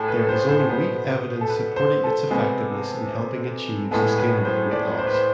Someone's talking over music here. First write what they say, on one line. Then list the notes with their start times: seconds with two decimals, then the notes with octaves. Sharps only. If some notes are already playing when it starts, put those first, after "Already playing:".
There is only weak evidence supporting its effectiveness in helping achieve sustainable weight loss.
Already playing: A2 G#4 A4
0.08 B4
0.29 C5
0.49 C5
0.69 B2 B3 C5
1.41 A4
1.50 B4
1.76 C5
2.04 A4
2.30 C3 G#3 B3
3.91 A2 G#3 B3 A4
4.18 B4
4.45 C5
4.72 D5
4.99 C5
5.07 B4
5.14 C5